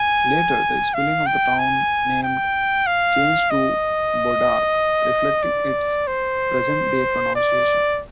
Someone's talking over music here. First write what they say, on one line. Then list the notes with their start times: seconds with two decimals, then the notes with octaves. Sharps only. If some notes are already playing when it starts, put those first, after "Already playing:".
Later, the spelling of the town name changed to "Bodarc" reflecting its present-day pronunciation.
Already playing: G#5
0.94 F5
1.27 G5
1.59 G#5
2.23 G5
2.87 F5
3.51 D#5
5.43 D5
6.08 C5
7.35 D5